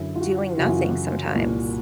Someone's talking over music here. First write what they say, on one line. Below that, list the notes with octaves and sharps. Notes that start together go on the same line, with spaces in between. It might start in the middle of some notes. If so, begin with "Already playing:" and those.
doing nothing sometimes.
Already playing: F#2 D3 E4
F4
F#4
F#2 C#3 E3 F#4
F4
F#4
C2 A#2